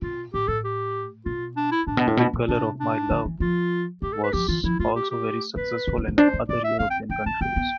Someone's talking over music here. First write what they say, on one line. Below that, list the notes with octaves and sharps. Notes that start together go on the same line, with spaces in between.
"The Colour of My Love" was also very successful in other European countries.
B2 F4
A2 G4
A2 A4
G4
B2 F4
D4
E4
A2 D4
B2
A2
B2
B2
C3 D4
D4
D3
E3
F3 F4
A3 G4
A4
B4
F3 G4
E3 F4
F3 E4
A3 F4
G4
G4
B3 B4
A3
B3
B3
D4 C5
D4
D4 D5
E5
C4 F5
G5
D4 G5
C4 A5
B3 G5
B3